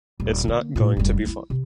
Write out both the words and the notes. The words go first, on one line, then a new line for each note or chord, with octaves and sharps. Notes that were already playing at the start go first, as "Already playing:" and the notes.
It's not going to be fun.
D#1
D3 A#3
A2 F4
F1 G2
G#3 E4
C3